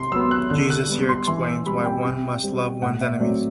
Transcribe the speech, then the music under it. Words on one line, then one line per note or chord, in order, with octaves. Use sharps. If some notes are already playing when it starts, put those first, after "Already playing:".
Jesus here explains why one must love one's enemies.
Already playing: C3 C6
F#3 B3 E6
F#6
D3 F#6
F#6
G3 B3
C6
E3 C6
E6
G3 B5
C4
G5
C3
G3 C4
A2 F#5
E5
F#3 A3 C4 D5